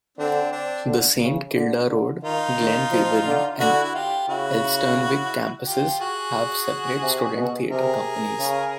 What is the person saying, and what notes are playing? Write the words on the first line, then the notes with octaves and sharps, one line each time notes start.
The Saint Kilda Road, Glen Waverley and Elsternwick campuses have separate student theatre companies.
D3 C4 D4
C4 D4
D3
C#3
D3
D3
D#3 D#4 F4
D#3
F3
D3
D3 E4 F#4
F#4
F4 G4
C#3 E4 F#4
F4 G4
F#4 G#4
C3
B2
C3 G#4 A#4
C#3